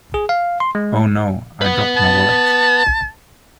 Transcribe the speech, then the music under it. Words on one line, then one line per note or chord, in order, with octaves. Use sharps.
Oh No! I dropped my wallet!
G#4
F5
C6
G#3
B4 F#5
A5